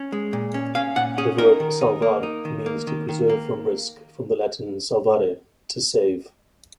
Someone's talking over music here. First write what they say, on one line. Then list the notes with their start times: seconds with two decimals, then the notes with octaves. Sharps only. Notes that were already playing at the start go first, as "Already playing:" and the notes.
The verb "salvar" means to preserve from risk, from the Latin "salvare", to save.
Already playing: C#4
0.12 G#3
0.33 A#2
0.54 C#4
0.75 C#4 F5
0.96 A#2 F#5
1.18 C#4 G#4
1.38 D#4 A#4
1.60 D#3
1.81 D#4
2.02 A#3
2.23 D#4
2.45 D#3
2.66 A#3
2.87 D#3
3.09 D#3
3.30 A#3